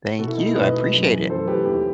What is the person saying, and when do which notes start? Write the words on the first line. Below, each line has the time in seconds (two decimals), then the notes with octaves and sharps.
Thank you, I appreciate it.
0.19 B2 F#4 A4
0.28 E4
0.37 A3 D#4
0.46 E4
0.55 B2 B4 D#5
0.74 A3
0.92 F#2
1.11 E3 A3
1.29 F#2 A4 C5
1.47 E3 A3 G4 B4
1.66 D#2 E4 G4